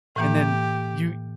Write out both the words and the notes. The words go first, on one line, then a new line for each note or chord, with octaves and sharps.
And then you
A2 E3 A#3 G4